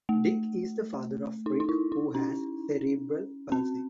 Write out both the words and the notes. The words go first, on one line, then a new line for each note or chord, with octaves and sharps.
Dick is the father of Rick, who has cerebral palsy.
A3
D#4
D#4
E4
D#4
C#4
C4